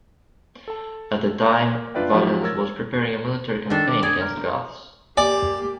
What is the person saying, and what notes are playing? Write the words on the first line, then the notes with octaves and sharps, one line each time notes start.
At the time, Valens was preparing a military campaign against the Goths.
A4 A5
A#3
D4 F4 B4 D5 E5 G5
F3 F#3 C4 D#4 F4 G4
A#4 C#5 E6 G#6 A6
D#3 D4 A4
D6
G#4 D5
A#4
A#3 G4 D5 G#5